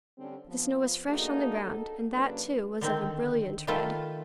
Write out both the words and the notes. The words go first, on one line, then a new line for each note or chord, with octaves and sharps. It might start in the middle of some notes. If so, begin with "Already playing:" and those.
The snow was fresh on the ground, and that, too, was of a brilliant red.
D3 G3 C4 C#4
F3 B3
A3 A#3 D4 D#4 F#4 G#4
A4
C#3 F#3 A#3 D4 B4
D3 D#3 C4
D#3 A3 F4 A4 B4